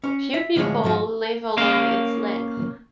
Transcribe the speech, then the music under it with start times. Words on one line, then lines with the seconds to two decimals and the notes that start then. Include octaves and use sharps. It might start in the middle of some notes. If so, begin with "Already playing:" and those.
Few people live along its length.
0.04 C#4 C#5
0.34 E5
0.56 D2 A2 F3 G#3 G#4 C#5
0.84 G#2 F3 F#4
1.57 A#3 C#4 A#4 F5